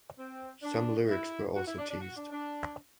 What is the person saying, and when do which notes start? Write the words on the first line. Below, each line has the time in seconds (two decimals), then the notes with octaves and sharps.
Some lyrics were also teased.
0.17 C4
0.62 D4
1.08 E4
1.55 F#4
1.66 E4
1.78 D4
1.89 D4
2.00 F#4
2.16 D4
2.31 D4